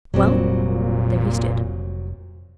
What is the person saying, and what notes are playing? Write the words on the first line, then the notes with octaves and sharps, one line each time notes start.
Well, there he stood.
F1 A#2 F#3 G3 C4